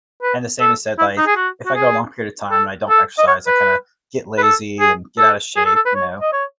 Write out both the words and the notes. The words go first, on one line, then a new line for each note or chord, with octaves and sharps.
And the same is said, like, if I go a long period of time and I don't exercise, I kinda get lazy and get out of shape, you know?
B4
A4
E4
D#4
G#4
F#4
F#4
G#4
A4
A4
D#5
C#5
B4
B4
A4
G#4
A4
G#4
A4
A4
B4
C#5
D#5
C#5